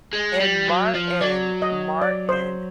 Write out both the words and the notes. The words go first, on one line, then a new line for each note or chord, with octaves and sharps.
And Martin. Martin,
G#3
G3
F#3
F3
F#3 D5
D#5
D5
C5